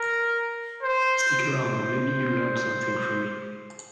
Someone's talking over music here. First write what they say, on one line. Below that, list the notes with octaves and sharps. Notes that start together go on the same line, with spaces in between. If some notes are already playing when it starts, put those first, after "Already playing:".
Stick around and maybe you'll learn something from me.
Already playing: A#4
C5
C5